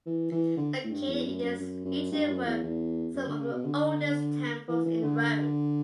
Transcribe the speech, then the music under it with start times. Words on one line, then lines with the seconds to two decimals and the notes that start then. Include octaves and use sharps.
Located in this region were some of the oldest temples in Rome.
0.06 E3
0.32 E3
0.57 D3
0.84 A2
0.91 G2
1.09 E2
1.25 F#2
1.43 F#2
1.59 F#2
1.85 F#2
2.12 G2
2.29 F#2
2.45 E2
2.63 E2
3.14 F#2
3.27 D3
3.39 C#3
3.52 B2
3.64 D3
4.68 E3
4.85 E3
5.03 D3